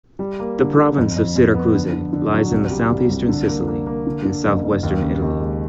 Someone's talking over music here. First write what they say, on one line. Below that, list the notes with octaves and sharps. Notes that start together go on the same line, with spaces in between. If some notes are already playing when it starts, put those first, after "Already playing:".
The Province of Syracuse lies in the southeastern Sicily, in southwestern Italy.
G3
A#3
D3
D3
F2
F2
F2
B3
D3
D3
D3
F#3
C2
G3
C2
C2
D3
A#3
A#3
A#3
D3
D3
F#1
F#1
D#2
C#3
D#2
G#3